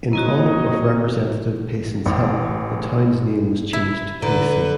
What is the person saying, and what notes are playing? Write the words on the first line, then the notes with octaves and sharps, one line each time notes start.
In honor of Representative Payson's help, the town's name was changed to "Payson".
A#3 C4 E4 F#4 C#5 D#5
A1
E4
D3 B4 A#5